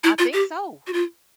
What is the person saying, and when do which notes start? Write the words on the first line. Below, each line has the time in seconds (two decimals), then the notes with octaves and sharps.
I think so.
0.04 E4
0.19 F4
0.34 G4
0.87 F#4
0.93 F4